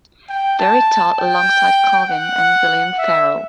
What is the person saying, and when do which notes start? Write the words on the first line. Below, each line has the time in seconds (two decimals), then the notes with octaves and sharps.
There he taught alongside Calvin and William Farel.
0.29 G5
0.59 A5
1.19 G5
2.08 F#5
2.98 E5